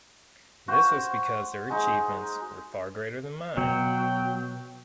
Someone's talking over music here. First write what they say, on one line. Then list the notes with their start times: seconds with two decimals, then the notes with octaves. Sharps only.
This was because their achievements were far greater than mine.
0.68 F#4 C5
1.70 G#3 D#4
3.57 B2 F#3 G5